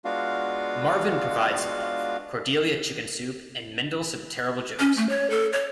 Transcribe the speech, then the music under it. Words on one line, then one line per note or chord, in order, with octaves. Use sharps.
Marvin provides love, Cordelia chicken soup and Mendel some terrible jokes.
G#3 B3 D4 F4 F#4 F5
C#4
A3
C#5
A4
C#5